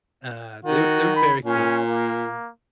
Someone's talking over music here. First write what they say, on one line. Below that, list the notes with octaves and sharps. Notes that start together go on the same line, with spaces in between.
uh, they were they were very close,
D#3 F#4
B5
A#2 C#4
A#3